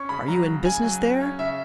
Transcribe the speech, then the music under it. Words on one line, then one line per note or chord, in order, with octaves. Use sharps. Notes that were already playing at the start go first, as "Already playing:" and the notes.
"Are you in business there?"
Already playing: C#4 C#6
C#3 B5
F#3 A#5
C#3
C#3 G#5
F#3
C#4
C#4
C#3 E5